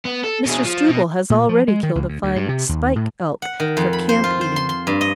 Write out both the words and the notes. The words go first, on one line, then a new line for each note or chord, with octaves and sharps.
Mr. Struble has already killed a fine "spike" elk for camp eating.
B3
A4
B2 G#4
F3
B2
A#2
F3
G#3
D#3
C#2
D2
D2
G2
C3
D#2
A2
F#5
D#3
F2
B5
C5
F4
C5
C6
C6
G2
D#5